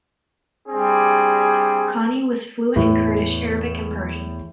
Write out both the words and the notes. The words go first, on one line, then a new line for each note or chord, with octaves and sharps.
Khani was fluent in Kurdish, Arabic and Persian.
G3 C4 D4 G#4
E2 A2 E3